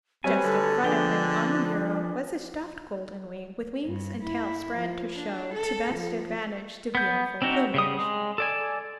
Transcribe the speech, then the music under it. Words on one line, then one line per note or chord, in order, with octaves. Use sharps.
Just in front of him, on the bureau, was a stuffed golden-wing, with wings and tail spread to show to best advantage the beautiful plumage.
F#3 G3 C4 B4 C#5 G#5
D3 A4
F3 B3 D4 G#4 G5
G2
E4
F3
D4
A4
F3
B3 G6
C4 D4 D#4 F#4
C#3 G3 D#6
G#3
A4 D5 G#5